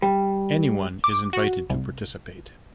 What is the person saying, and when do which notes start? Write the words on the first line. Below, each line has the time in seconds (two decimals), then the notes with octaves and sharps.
Anyone is invited to participate.
0.02 G3
1.04 D6
1.33 F#4
1.70 C2